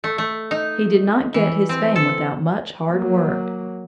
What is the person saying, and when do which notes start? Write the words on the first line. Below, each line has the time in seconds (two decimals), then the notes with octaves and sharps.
He did not get his fame without much hard work.
0.04 A3
0.18 A3
0.51 D#4
1.34 E3
1.69 C4
1.96 A4
2.90 F#3 A#3